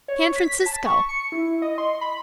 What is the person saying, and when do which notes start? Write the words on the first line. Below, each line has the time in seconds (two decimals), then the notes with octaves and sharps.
San Francisco!
0.08 C#5
0.36 B6
0.66 A5
0.86 C#6
1.09 C#7
1.32 E4
1.62 D#5
1.78 C6
2.01 B5